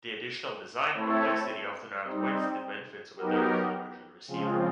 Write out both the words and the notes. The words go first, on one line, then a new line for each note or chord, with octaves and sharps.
The additional design complexity often outweighs the benefits of a direct-conversion receiver.
A3 C4 E4 A4 C#5
G3 C4 D#4
F#3 B3 D#4 G4 A#4
C#3 F3 G#3 C4 F4